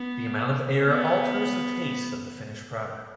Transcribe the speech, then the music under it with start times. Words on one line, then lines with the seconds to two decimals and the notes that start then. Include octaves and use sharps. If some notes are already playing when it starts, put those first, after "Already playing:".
The amount of air alters the taste of the finished product.
Already playing: B3
0.88 B3